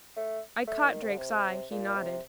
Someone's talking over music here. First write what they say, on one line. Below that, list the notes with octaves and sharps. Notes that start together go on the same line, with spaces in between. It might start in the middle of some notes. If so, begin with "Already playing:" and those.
I caught Drake's eye; he nodded.
A3
A3
D#3
C3
D3
C3
A#2
C3